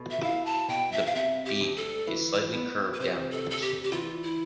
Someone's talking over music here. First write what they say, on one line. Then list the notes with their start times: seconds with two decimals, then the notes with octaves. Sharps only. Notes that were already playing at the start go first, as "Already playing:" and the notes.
The beak is slightly curved downwards.
Already playing: B2 A3
0.11 E5
0.23 E4 F5
0.45 A5
0.69 B2 G5
0.92 E5
1.06 F5
1.15 C3 E5
1.45 G4
1.61 D2
1.76 A4
2.07 E3
2.53 B3
2.94 B4
3.00 C3 C5
3.31 A4
3.46 D2 A4
3.61 G4
3.83 G4
3.92 E3 F4
4.23 E4